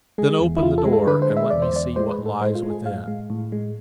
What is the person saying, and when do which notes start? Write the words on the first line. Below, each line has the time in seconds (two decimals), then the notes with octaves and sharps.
"Then open the door, and let me see what lies within."
0.18 G#3 G#4
0.40 E2
0.56 E4
0.63 E2 F4
0.78 A4
0.85 G#3
0.93 A4
1.07 D3 B4
1.22 C5
1.29 G#3
1.37 E5
1.50 E2 D5
1.62 C5
1.74 E2 D5
1.96 G#3 C5
2.11 B4
2.18 A2
2.26 A4
2.41 G#3 C5
2.55 F4
2.63 G#3
2.70 G#4
2.85 A2 F5
3.07 G#3
3.30 A2
3.52 G#3